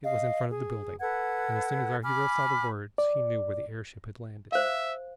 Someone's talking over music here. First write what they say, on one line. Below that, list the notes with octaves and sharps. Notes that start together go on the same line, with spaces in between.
It was in front of the building, and as soon as our hero saw the words he knew where the airship had landed.
D#5 F5
G#4
A4 B4 F#5 G#6
G#5 B5 D6 F6
D5
C5 E5 F5